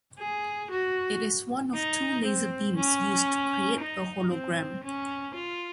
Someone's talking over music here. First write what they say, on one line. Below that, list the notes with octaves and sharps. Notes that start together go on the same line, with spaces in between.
It is one of two laser beams used to create a hologram.
G#4
F#4
D#4
C4
C#4
D#4
C4
C#4
F4